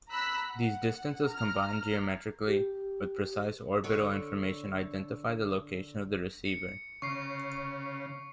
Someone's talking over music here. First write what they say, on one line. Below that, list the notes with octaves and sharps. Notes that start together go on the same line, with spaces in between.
These distances combined geometrically with precise orbital information identify the location of the receiver.
A#5 B5 E6 F#6 B6
F#5
A#5 F6
G4
D3 C#5
C#7
C#3 C#6 C7